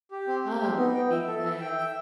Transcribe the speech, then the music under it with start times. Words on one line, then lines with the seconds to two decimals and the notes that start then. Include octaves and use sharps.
tough because
0.11 G4
0.28 C4
0.44 G4
0.60 C4
0.77 B3 D#4
0.94 G5
1.11 E5
1.28 A4
1.45 E5
1.61 G5
1.78 E5